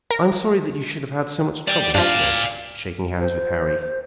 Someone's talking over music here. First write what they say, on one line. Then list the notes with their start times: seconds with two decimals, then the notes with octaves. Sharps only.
"I am sorry that you should have had so much trouble," he said, shaking hands with Harry.
0.11 A#4
1.68 G4 D5
1.95 G2 F3 D5 F5
3.17 C5